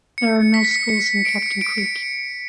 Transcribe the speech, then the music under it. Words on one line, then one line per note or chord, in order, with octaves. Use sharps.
There are no schools in Captain Creek.
C#7
B6
B6
C#7
C#7
D7
C#7
D7
C#7